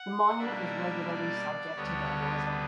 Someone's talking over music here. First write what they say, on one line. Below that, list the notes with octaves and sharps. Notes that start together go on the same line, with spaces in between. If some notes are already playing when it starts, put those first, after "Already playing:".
The monument is regularly subject to vandalism.
Already playing: F#5
B2 G3 A#3 D4 E5
D5
D2 D3 G3 B3 C#5